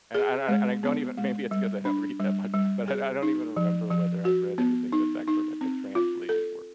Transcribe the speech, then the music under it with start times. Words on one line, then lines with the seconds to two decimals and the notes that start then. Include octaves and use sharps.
And I and I and I don't even maybe it's 'cause I don't read that much, but I I don't even remember whether I've read anything that's actually, like, a translated work.
0.15 G#4
0.48 G#3
0.83 B3
1.17 G#3
1.51 G3
1.85 D4
2.20 G3
2.54 G3
2.88 G#4
3.22 D#4
3.56 F3
3.90 F3
4.25 F#4
4.58 B3
4.92 D#4
5.28 D#4
5.61 C4
5.95 F4
6.29 A4